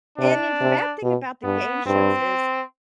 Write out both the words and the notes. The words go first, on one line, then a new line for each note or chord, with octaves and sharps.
and and the bad thing about the game shows is,
C3 D4
C3
B2
G2 B3
G2 C4